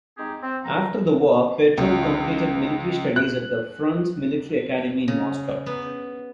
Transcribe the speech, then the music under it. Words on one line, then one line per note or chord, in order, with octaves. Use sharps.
After the war, Petrov completed Military Studies at the Frunze Military Academy in Moscow.
G#3 C4 D#4 G4 G#4
C4
G2 D#3 E3 A4 A#5
C#2
F#6
C#3
B3